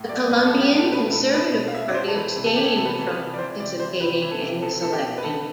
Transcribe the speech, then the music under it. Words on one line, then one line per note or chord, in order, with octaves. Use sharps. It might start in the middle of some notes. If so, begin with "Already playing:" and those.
The Colombian Conservative Party abstained from participating in this election.
Already playing: A2
F3 D5
A2 B4
A4
F3
G4
A2
A4
B2 B4
B2 A4
B2 B4
B2
F5
B2 E5
D5
B2 C5
A4
E3 B4
C3
A4
E3 G4
A4
C3 A4
B4
A4
E3
B4
C3
D5
E3 C5
C3 D5
E3 C5
C3 B4
E3
A4
C3
B2 A4
B2 A4
G4
B2
B4
B2 A4